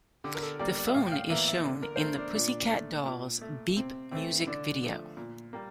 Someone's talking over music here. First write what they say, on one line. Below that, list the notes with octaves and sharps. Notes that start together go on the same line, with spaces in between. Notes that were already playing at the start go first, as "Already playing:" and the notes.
The phone is shown in the Pussycat Dolls' "Beep" music video.
D3 G4
A#4
A4
G3 A#3 D5
D5
E5
A2 F5
G5
F5
E3 A#3 E5
E5
D3
A#4
C5
A3 A#4
D4
A#2 D4
A3
A#2
A3
C3 C4
E3 A3 C4
E4
D3 D4
F3 A3
A#2
G3 A#3